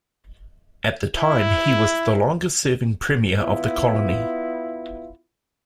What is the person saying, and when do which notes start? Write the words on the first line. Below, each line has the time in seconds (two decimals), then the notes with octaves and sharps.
At the time, he was the longest-serving premier of the colony.
1.17 E4
3.39 B3 E4 F4